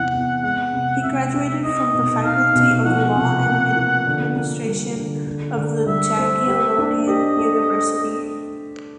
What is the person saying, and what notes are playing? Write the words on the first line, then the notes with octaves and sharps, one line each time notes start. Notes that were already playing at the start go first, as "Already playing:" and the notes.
He graduated from the Faculty of Law and Administration of the Jagiellonian University.
Already playing: E2 C3 E3 F#5
E2
G#3 F#5
C3
C3 E5
C3
D#4 D#5
B2
D#4 F5
B2
F3 F#5
C3
A#3
F3
D3
A#3
G3
D3
D3
D3
G3 E5
C4
G4
D4
G4 D#5
A3